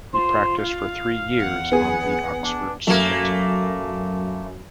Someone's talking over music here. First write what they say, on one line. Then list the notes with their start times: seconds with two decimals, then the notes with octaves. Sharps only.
He practised for three years on the Oxford Circuit.
0.14 F4 C5
0.58 F5
1.39 E2 F#5
1.72 B3 G#4
2.43 D4
2.87 F#2 A3 A#3